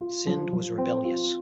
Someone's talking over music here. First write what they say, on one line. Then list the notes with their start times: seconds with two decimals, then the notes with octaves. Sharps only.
Sindh was rebellious.
0.01 F4
0.27 F3
0.53 F3
0.78 C4
1.04 F4